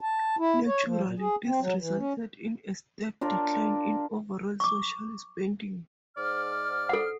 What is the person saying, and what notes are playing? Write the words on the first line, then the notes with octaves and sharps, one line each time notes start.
Naturally, this resulted in a steep decline in overall social spending.
A5
E4
C#5
F3
A#2
G#4
C4
F#3
E3
C#4
D4 F4 A#4 G5
C#6 D6
G#2 D5 F6
A4 F#5